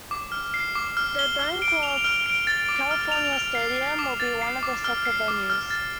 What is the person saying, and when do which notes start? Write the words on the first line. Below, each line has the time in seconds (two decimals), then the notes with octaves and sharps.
The Banc of California Stadium will be one of the soccer venues.
0.11 D6
0.32 F6
0.54 C7
0.75 D6
0.97 F6
1.19 G7
1.39 F6
1.62 D7
1.83 F7
2.04 F6
2.26 D7
2.47 A6
2.69 D6
2.91 F6
3.12 F7
3.33 F6
3.55 C7
3.76 C7
3.99 D6
4.20 A6
4.42 C7
4.63 D6
4.84 F6
5.05 C7
5.28 D6
5.50 F6
5.71 A6